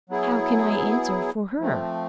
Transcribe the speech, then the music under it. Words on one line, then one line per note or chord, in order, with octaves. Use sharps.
How can I answer for her?
F#3 B3 E4 G#4
F3 A3 C4